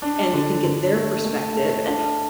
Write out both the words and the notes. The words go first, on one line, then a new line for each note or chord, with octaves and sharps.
and you can get their perspective and
D4
D3
D3
A3
A3
A3
D4